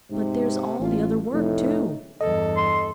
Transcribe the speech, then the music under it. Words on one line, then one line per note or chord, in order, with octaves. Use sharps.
"But there's all the other work, too."
G#2 C3
A1 F4
F1 A2 D#4
E2 G2 A4 D#5
C6